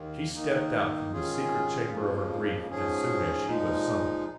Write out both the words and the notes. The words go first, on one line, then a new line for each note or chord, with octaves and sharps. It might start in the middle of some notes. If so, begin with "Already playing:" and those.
She stepped out from the secret chamber of her grief as soon as she was summoned.
Already playing: D#2 D#3 A#3
D#3 A#3 D#4
G#2 D#3 C#4 F4 G#4
F2 C#3 F3 A#3
G#2 F3 C#4 G#4
A#2 F3 G#3 D#4